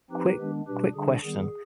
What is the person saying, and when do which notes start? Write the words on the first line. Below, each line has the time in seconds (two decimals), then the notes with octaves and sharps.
quick quick question.
0.10 F3 C4 D#4 G4 B4
0.38 D#3 G#3 B3 D4
0.67 B2 G3 D4 G4 B4
0.94 D3 G3 D4 G#4
1.23 D#3 G3 B3 G#4